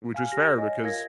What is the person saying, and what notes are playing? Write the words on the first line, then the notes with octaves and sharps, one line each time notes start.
Which is fair, because
F5 G#5 F6
G4 A#6
C#5 D#5 G#5
F4 A#4 F5 G#6 A#6